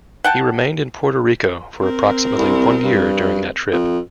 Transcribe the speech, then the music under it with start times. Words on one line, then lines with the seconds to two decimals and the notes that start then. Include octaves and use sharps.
He remained in Puerto Rico for approximately one year during that trip.
0.24 F#5 G5 A5
1.79 C4 A#4
2.38 C2
2.84 G2
3.72 F2